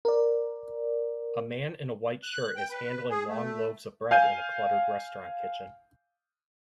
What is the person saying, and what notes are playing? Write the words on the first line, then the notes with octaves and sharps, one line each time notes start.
A man in a white shirt is handling long loaves of bread in a cluttered restaurant kitchen.
A#4 D5
F#6
G5
B4
G#4
A3
F5 G#5 G6 D#7